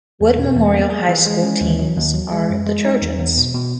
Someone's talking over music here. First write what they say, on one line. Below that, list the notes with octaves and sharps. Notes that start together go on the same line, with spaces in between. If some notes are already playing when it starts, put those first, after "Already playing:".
Wood Memorial High School teams are the Trojans.
E2
B2
E2
A#3
G#4
E3
G#3
C#4
D#2
F#3
D#2
F#3
G#3
F#2
G#3
D#4
E2
E2
B2
B2